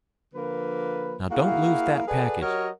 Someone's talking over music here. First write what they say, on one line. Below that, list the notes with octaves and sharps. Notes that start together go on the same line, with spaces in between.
Now don't lose that package.
D3 F3 A#3 B4
A#3 E4 F#4 G#4 F5
G#4 A4 B4 D5 F#5 G#5
F#3 G4 A#4 C#5 D#5 F#5